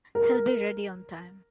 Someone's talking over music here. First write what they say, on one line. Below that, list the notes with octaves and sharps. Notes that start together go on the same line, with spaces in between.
He'll be ready on time.
A#4